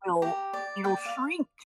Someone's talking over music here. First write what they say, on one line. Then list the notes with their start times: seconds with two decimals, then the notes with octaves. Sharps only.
will it'll shrink
0.22 G4 A#5
0.53 D5
0.84 D5 G5
1.05 F5